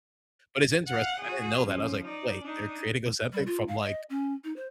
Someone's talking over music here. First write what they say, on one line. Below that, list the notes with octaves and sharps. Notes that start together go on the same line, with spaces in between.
But it's interesting. I didn't know that. I was like, "Wait, they're creating Ozempic from, like,
F5 F#5
F#4 G#4
F3 C#4
D#4 D5
D4 D#4
G3
F4
F5
D#5
C#4
D#4
C5